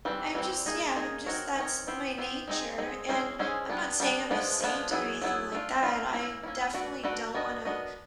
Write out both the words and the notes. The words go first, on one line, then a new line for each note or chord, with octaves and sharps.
I'm just yeah, I'm just that's my nature, and I'm not saying I'm a saint or anything like that. I definitely don't wanna
E3 G3 C4
E3 G3 C4
A#3 D#4 G#4
A#3 D#4 G#4
C4 D#4 F#4 A#4 C#5
C4 D#4 F#4 A#4 C#5
B3 E4 G4 C5
B3 E4 G4 C5
G#3 C4 D#4 G#4
G#3 C4 D#4 G#4
G#3 C#4 E4 G#4 C5
G#3 C#4 E4 G#4 C5
G3 B3 D4
G3 B3 D4
F3 G#3 B3 D4
F3 G#3 B3 D4
F#3 B3 E4 G#4
F#3 B3 E4 G#4
A3 D4 F4
A3 D4 F4
A#3 C#4 E4
A#3 C#4 E4
A3 D4 F#4 B4 D5
A3 D4 F#4 B4 D5
B3 D4 F#4 A#4 D#5
B3 D4 F#4 A#4 D#5